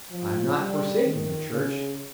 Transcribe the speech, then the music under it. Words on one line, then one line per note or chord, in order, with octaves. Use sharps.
I am not forsaking the Church.
F3
G3
D#3
C#3